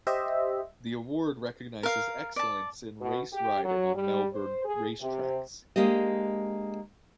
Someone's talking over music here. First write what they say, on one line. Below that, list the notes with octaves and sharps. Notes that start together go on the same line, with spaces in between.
The award recognises excellence in race riding on Melbourne racetracks.
G4 C5 D#5 E5
A#4 F5
D5 A5
B2
G4
F#3
G3
C5
G#4
C3
G#3 A#3 D4 G4 D#5